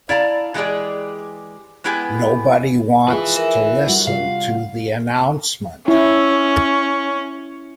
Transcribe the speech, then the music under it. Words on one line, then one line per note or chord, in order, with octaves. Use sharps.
Nobody wants to listen to the announcement.
E4 D5 F5 A5 A#5
E3 G#3 E4 G4 G#4 D5
G#3 B3 E4 G4 B4 G#5
E4 F4 G#4 B4
A#4 E5
G3 F#4 F#5
C3 F4 F5
C#4 E4